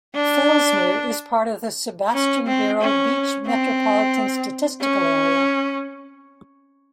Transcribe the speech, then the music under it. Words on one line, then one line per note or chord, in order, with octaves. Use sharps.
Fellsmere is part of the Sebastian-Vero Beach Metropolitan Statistical Area.
D4
C#4
C4
C#4
C4
C#4